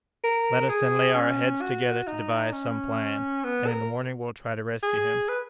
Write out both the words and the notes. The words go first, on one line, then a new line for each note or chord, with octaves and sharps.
"Let us, then, lay our heads together to devise some plan, and in the morning we'll try to rescue him."
A#4
G#4
C#4
F#4
D#4
C#4
B3
A#4
G#4
B4